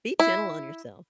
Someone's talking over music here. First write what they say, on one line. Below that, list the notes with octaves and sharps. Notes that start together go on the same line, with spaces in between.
be gentle on yourself.
E4